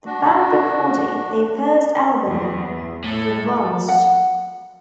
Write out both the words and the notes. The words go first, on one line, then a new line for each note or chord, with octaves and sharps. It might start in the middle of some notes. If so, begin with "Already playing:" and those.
The band recorded their first album Revansj!
D4 F#4
E2
A2 A4
F#5